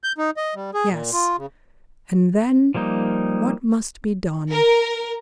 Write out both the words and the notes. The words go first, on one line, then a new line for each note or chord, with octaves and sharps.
Yes, and then what must be done?
G6
D#4
D#5
G3
G#4
A#2
F4
C#3
F3 G3 A#3 D#4
A#4